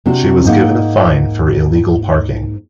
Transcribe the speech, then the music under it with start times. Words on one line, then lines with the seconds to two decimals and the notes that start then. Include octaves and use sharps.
She was given a fine for illegal parking.
0.06 C3 C4 D4 F#4
0.44 G#2 A#3 D#4 F5 F#5